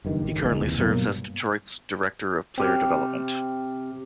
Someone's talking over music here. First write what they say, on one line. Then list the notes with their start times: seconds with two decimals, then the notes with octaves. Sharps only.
He currently serves as Detroit's Director of Player Development.
0.05 F#1 G2 D#3
0.24 A1 D#3
0.44 C#2 D#3 F3 G#3
0.60 D#2 C3 E3
0.78 G2 B2 F#3 A#3
2.58 C4 G4 F6